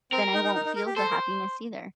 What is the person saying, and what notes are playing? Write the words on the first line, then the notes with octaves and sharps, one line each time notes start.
then I won't feel the happiness, either.
C4 A#4
D#4
D#4
D#4
D#4
A#4
G4
A4 C5
A#4